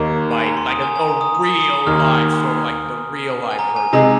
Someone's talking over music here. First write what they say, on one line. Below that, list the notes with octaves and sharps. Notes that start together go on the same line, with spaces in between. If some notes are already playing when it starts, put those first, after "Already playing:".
by like a a real-life sword, like, the real-life version of it.
Already playing: D#2 D#3 A#3
G#5
A#5
C6
D#6
G#5
G#5
A#5
D#6
D#6
D#6
D#2 D#3 A#3 F6
G#5
A#5
G#5
C3 G#3 D#4 G#4 A#5